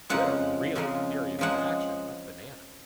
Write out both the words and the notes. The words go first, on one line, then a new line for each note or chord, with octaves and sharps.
You had a really serious reaction. That's bananas,
F2 C#3 F3 G#3 F#5
F2 C#3 F3 G#3
C#3 F3 G#3 F#5